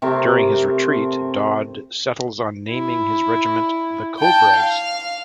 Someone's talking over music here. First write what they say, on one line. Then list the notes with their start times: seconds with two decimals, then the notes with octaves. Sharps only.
During his retreat, Dodd settles on naming his regiment the Cobras.
0.02 C3 A3 C4 A#4
2.72 E4
4.19 G5 A5
4.55 F5